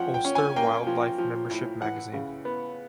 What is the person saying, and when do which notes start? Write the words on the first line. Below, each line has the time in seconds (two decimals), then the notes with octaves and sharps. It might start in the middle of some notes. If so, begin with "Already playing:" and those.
Ulster Wildlife Membership Magazine.
Already playing: F3 C#4 F#5 G5
0.14 G5
0.25 C#4
0.35 G#5
0.56 A#3 G5
0.87 F3
1.18 F3
1.50 A2
1.81 E3 F#5
2.13 C#3
2.45 B3